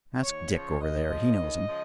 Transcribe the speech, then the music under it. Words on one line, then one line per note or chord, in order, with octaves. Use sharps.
"Ask Dick over there; he knows him."
D#2 C#5
C#3 F3
D#2 D#5
C#3 F3
D#2
C#3 F3